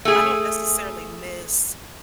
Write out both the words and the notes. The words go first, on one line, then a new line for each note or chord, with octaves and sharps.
I don't necessarily miss,
A3 G#4